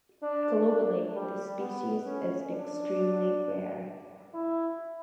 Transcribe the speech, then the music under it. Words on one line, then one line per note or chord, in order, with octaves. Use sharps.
Globally, the species is extremely rare.
D4
D4
G3
B3
C#4
D4
E4